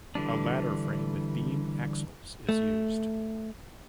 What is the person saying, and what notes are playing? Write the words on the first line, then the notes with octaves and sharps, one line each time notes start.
A ladder frame with beam axles is used.
D3 E3 G3 D4
A3